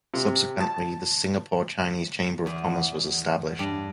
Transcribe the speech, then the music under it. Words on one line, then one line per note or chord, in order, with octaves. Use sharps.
Subsequently, the Singapore Chinese Chamber of Commerce was established.
C3
A5
E2
G2